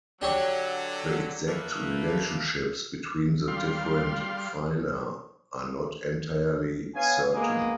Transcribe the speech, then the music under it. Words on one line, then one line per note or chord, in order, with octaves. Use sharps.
The exact relationships between the different phyla are not entirely certain.
D3 F#3 D4 G4 C#5
A3 A#3 B4
G3 F5 C6
B3 C#5 F5 G#5
G#3 A#3 B3 G#5 D#6